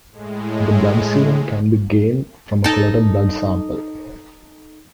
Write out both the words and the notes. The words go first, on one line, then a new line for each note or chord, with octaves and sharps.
The blood serum can be gained from a clotted blood sample.
A2 G#3
D#4 A4